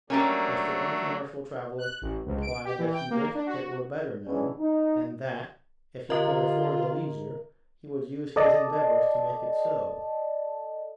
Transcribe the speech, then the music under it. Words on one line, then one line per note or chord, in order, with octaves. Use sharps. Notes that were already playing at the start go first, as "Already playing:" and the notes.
Mr. Uncommercial Traveller replied that he wished it were better known, and that, if he could afford the leisure, he would use his endeavours to make it so.
F#3 G3 A3 A#3 C#4 D4
F#6
A1
C#2
D7
G4
E3
G5
A#3
D4
F#4
E3 F#3 G#3 B3 C#4 D4
D#4
D3 F4 A#4 D#5
A4 D5 D#5 A5